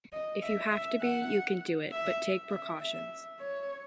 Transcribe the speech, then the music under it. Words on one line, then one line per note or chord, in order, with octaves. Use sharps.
If you have to be, you can do it, but take precautions.
D#5
E5
E5
F#5
E5
E5
E5
C#5